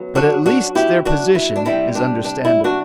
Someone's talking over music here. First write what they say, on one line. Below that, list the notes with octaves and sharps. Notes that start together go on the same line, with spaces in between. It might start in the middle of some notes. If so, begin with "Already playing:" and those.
But at least their position is understandable.
Already playing: F#2 F#3 B3
D4 F#4
D4 F#4
E4 G4
D4 F#4
E4
D4
C3 G3 C4 E4
D4
D4
E4
D4 F#4